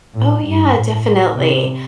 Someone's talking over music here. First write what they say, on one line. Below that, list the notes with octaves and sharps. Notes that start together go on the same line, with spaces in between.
Oh, yeah, definitely.
A2
G2
A2
C3